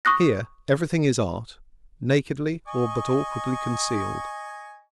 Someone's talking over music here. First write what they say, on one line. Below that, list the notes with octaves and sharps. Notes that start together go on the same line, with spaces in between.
Here every thing is art, nakedly, or but awkwardly concealed.
C#6 D#6 F#6 A#6
D#5 G#5 C#6